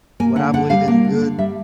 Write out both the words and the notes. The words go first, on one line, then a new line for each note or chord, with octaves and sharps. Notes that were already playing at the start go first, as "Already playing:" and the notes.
What I believe in is good
A#3 G#5
D3 F#5
D3 F#5
G3 F5
A#3
D3
D3
G3 E5